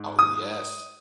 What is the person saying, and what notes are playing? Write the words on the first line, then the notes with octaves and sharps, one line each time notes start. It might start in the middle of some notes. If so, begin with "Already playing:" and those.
Oh, yes.
Already playing: G#2
D#6